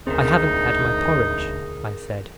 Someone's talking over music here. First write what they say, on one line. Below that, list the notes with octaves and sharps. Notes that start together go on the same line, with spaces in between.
"I haven't had my porridge," I said.
E1 D2 C4 D#4 G#4 A#4